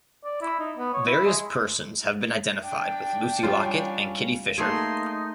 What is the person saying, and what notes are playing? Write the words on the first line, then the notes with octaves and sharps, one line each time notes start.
Various persons have been identified with Lucy Locket and Kitty Fisher.
D5
E4
D#4
B3
C#5
E4
G#3
D4 G5
G3 C#4 F4
A3 A#3 D#4 G#4 C6